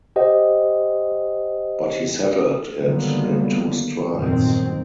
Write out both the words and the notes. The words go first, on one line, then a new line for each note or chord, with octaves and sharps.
But he settled it in two strides.
G4 C5 D#5 F#5
D3 D#3 F#3 G3 A#3 B3
G1 F2 A#2 D#3 F#3 C4